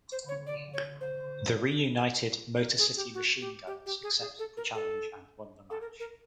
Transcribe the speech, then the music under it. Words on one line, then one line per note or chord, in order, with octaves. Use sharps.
The reunited Motor City Machine Guns accepted the challenge and won the match.
C5
C#5
D5
C#5
C5
A#4
G#4
G4
F#4
G4
G4
G4
G#4
G#4
A4
A#4
A4
A4
A#4
A#4